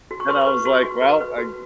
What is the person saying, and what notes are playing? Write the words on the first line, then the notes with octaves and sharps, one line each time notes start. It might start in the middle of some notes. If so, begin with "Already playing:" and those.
and I was like, "Well, I g"
F#4
C#6
B4 C6
C#6
B4
F#4
F#4
B4
B4
F#4